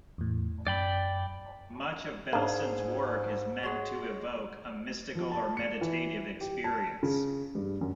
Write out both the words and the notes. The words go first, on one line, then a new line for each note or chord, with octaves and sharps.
Much of Belson's work is meant to evoke a mystical or meditative experience.
E2 A2
F#2 D5 G5 B5
G#2 A#3 D4 G#4
F#3 G#3
F3
A5
C#7
E3
G4
A5
C#3
G2
F#2